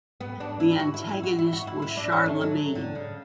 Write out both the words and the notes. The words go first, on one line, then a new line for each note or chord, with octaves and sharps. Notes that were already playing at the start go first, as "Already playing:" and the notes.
The antagonist was Charlemagne.
B3
D4
E4
F#4
E4
E4
F#4
E4
F#4
E4
E4
D4
C#4
A3
F#3
D3
C#3